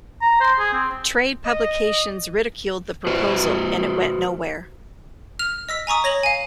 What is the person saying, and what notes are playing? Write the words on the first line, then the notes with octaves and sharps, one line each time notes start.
Trade publications ridiculed the proposal and it went nowhere.
A#5
C5
G#4
C4
D#5
F#4 B4 C5
F6 F7
D#5 E6 B6
G#5 A#5 C#6 D#6
C#5 A#6 F7 F#7
F5 G#5